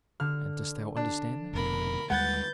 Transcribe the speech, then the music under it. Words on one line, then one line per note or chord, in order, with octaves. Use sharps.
"And dost thou understand them?"
D3 F6
D4
F1 F2 B2 A#4 B5
D#2 G3 G#3 B4 F#5 G6 A6